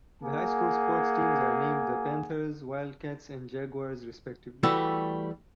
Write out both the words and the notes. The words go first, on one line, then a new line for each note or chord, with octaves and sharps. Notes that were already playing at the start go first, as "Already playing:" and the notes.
The high school sports teams are named the Panthers, Wildcats, and Jaguars, respectively.
A#3 G#4 F#5 G#5
E3 G3 A3 F#4